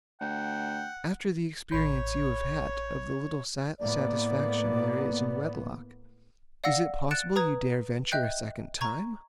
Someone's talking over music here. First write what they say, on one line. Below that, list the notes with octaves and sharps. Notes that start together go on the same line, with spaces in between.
After the experience you have had of the little satisfaction there is in wedlock, is it possible you dare venture a second time?
D2 F#5 G5
A1 C#5 B5 G6
A2 A#3 B3 D5
D5 F5 F#5 E6 A#6 C#7
F#6 A6 C#7 D7 E7
B4 A#5 D#6 G#6
D#5 E5 G5 F#6 G6
A#5 C#6 G#6